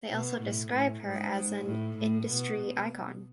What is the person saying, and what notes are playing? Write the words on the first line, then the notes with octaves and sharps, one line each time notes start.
They also describe her as an "Industry Icon".
B2
A2
A2
G#2
A2
A2
B2